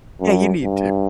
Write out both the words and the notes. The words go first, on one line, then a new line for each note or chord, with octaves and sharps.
Yeah, you need to.
F#2
G2